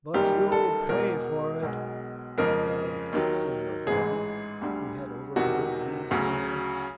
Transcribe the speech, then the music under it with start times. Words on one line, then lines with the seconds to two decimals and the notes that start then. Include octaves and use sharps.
"But you'll pay for it!" growled Signor Valdi, who had overheard these remarks.
0.14 F#1 F#2 D#3 G3 G4
0.52 A4
0.89 E1 E2 B2 G#3 A#4
1.63 B1 B2 G#3
2.38 F2 C#3 F3 G#3 A#4
3.13 D#2 D#3 F#3
3.87 A1 G#2 E3 G#3 G#4
4.61 D2 D3 G3
5.36 E1 E2 C3 D#3 F#4
6.11 D2 C#3 F#3